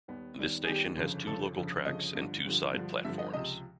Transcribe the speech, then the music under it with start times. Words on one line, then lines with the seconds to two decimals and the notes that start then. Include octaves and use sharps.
This station has two local tracks and two side platforms.
0.08 D#2 D#3 G3 B3
0.39 D#2 D#3 G3 B3
0.64 G#4
0.67 D#2 D#3 G3 B3 G4
0.97 G1 F2 C#3 F3
1.27 G1 F2 C#3 F3 A4
1.56 G1 F2 C#3 F3
1.85 G1 F2 C#3 F3 D#5
2.15 G2 D3 F3
2.45 G2 D3 F3
2.74 G2 D3 F3
3.05 G2 D3 F3 E5
3.19 D#5
3.34 C#2 C3 F3 D#5